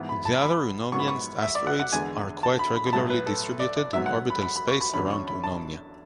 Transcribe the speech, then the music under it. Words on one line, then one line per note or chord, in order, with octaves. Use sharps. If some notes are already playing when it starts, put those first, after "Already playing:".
The other Eunomian asteroids are quite regularly distributed in orbital space around Eunomia.
Already playing: G#2 E3 B3
B5
A5
B5
G#2 F#3 B3 C#6
B5
C#6
E5
D5
F#5
F#5
E2 D3 G#3 B3 G#5
A5
B5
B5
B5
B1 A2 F#3 A5
B4
A4
D5
D5
G#2 F#3 B3 E5
F#5
B5
B5
B5
C#6
B5
E2 D3 F#3 C#4 B5
C#6
B5
A5